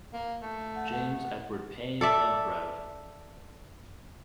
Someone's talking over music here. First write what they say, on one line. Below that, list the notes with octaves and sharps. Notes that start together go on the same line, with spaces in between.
James Edward Payne and Rev.
A#3
A3
F#5
F#5
A4 D5 E5